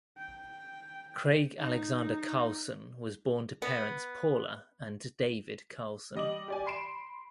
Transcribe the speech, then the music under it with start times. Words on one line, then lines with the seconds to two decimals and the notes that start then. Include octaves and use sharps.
Craig Alexander Carlson was born to parents Paula and David Carlson.
0.18 G5
1.58 D#4
3.62 B3
6.15 G3 D#5 D6 F#7
6.48 G4 D5 G#5
6.66 B5 C6 C7 D7 E7